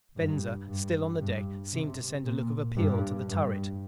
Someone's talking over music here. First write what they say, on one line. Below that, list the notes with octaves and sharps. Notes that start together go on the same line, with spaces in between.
Venza, still on the deck, seemed to send a look of appeal to the turret.
G2
G2
G2
C3
A#2
G2
G2